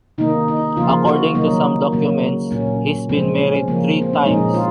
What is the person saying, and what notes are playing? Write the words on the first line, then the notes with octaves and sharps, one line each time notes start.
According to some documents, he's been married three times.
C3 D#3 A#3 D#4
D#4
C#3 F3 A#3 F4
F#4
C3 D#3 F#3 A#3 D#4
C#3 F#3 A#3
A#2 F#3 A#3 C#4
C#3 F3 G#3 C4
C#4
C#3 F3 A#3
C4
C#4
A#2 F3 G#3 D#4
F4